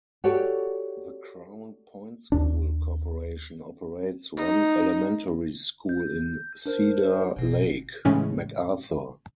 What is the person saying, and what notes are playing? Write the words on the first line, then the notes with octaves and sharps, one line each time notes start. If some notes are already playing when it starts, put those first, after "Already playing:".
The Crown Point school corporation operates one elementary school in Cedar Lake: MacArthur.
F#4 G4 A4 C#5 D5
D#2 D4
D#4
G6
D4 A#4 C5
G1 B2
A2 C#3 E3 G#3 C#4